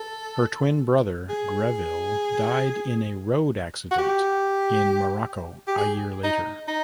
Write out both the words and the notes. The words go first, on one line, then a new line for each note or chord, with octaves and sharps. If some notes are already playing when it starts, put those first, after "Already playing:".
Her twin brother, Greville, died in a road accident in Morocco a year later.
Already playing: A4
G#4
F#4
G4
G4
G#4
D#4
D#4